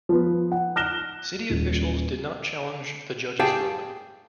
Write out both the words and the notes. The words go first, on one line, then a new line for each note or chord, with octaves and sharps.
City officials did not challenge the judge's ruling.
F3 B3
F#5
F6 F#6 A#6 E7 G7
D#1
G4 G#4 F5 G5 A5